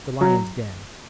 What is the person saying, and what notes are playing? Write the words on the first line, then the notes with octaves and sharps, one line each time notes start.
The Lions' Den.
F#3